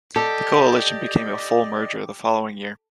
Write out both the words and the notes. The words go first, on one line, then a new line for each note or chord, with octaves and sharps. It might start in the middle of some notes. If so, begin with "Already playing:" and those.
The coalition became a full merger the following year.
G4 A4 D5 D#5